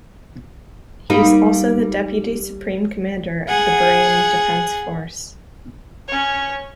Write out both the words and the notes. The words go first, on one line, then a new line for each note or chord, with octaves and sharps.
He is also the deputy Supreme Commander of the Bahrain Defense Force.
G3 A#3 D#4
G#4 F#5
C#4 C#5